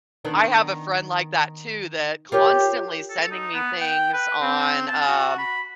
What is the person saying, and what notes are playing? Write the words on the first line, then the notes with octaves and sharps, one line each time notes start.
I have a friend like that too that constantly sending me things on, um,
D#3 B3 D4
F4 G4 A#4 C#5
A4
D#4
B3
G5
B4
C4
A5
F#4
B5